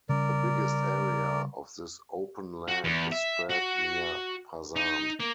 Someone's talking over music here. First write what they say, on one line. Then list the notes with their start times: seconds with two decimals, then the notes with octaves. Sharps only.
The biggest area of this open land is spread near Pasan.
0.09 C#3 G3 C#4 A#4 D5
2.68 F#4
2.84 E2
3.12 E5
3.50 F#4
4.76 D#4
5.20 A#3